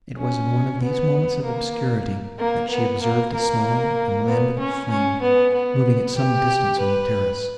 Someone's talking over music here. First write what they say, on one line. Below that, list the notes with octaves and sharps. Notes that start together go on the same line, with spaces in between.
It was in one of these moments of obscurity, that she observed a small and lambent flame, moving at some distance on the terrace.
C#4
B3
A#3
A#3
B3
A#3
A#3
B3
C#4
C#4
B3
B3
G4
B4